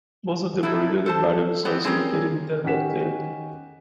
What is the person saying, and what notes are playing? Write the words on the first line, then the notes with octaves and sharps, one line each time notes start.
Most of the Merino herbarium is also located in the arboretum.
B2 F#3 A3 E4
A4 C5 A5
B3 C4 G4
G3 C4 C#4 G4 G#4 A#4
D#3 C#4 G4 F#5 B6 E7